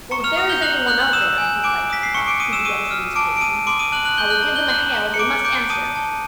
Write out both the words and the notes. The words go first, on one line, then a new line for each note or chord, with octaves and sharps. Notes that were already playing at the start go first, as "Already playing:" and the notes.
"Well, if there is any one up there," replied Pencroft, who began to lose patience, "I will give them a hail, and they must answer."
A#5 C#6 C#7
F6 F7
D#6 F6 F7
G6 G7
A#5 F#6 F#7
F#6 G6 F#7
F#6 F#7
D#6 E6 E7
G#5
G#5 D6 D7
D#6 B6
C7
C#6 C#7
D6 D7
C#6 D#6 D#7
E6 E7
C#6 D#6 D#7
F6
A5 D6 D7
D7
A5 D#6 D#7
C6 D6 D7
D#6 D#7
A5 F#6 F#7
F#6 F#7
G6 G7
F#6 F#7
A#5
G6 G7
F#6 G6 F#7
A#5
C#7
D6 D7
D6 G6 D7
A5 D#6 D#7
A5